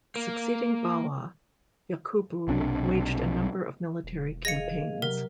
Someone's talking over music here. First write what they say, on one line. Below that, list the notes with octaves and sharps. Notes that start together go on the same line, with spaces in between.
Succeeding Bawa, Yakubu waged a number of military campaigns.
A#3
B1 C3 D4
E1
G#4 D#5 F5 A#6 C#7
C3 F#3 A#4